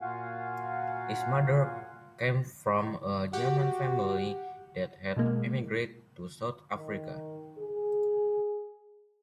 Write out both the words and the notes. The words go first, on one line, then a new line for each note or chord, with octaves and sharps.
His mother came from a German family that had emigrated to South Africa.
A#2 F4 F#4 F5 F#5 G#5
F#4 G4 F#5
B2 G#3 A#3
D#3
G#4